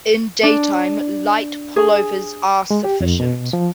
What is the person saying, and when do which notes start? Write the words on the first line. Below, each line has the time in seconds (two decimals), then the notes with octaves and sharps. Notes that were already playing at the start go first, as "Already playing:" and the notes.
In daytime, light pullovers are sufficient.
0.43 D4
1.76 G#4
2.71 G#3
2.84 G4
3.01 F2
3.20 B2
3.53 F3